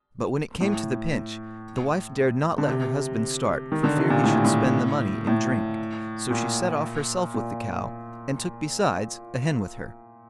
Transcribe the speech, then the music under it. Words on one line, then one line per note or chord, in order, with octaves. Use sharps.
But when it came to the pinch, the wife dared not let her husband start for fear he should spend the money in drink, so she set off herself with the cow, and took besides a hen with her.
A2
D3
C3
D#3
D3
C3
A#2
A2
A#2
A2
A2
A#2
A#2